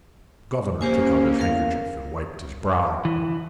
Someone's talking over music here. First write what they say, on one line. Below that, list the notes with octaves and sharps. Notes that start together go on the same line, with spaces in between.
The governor took out his handkerchief and wiped his brow.
A#3 C#4 G4 C5 G#5
E2 A#4 F5
E3